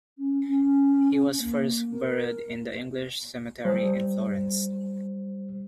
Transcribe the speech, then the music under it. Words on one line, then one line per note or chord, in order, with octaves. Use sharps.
He was first buried in the English Cemetery in Florence.
C#4
C#4
A#3
A#4
G3 C5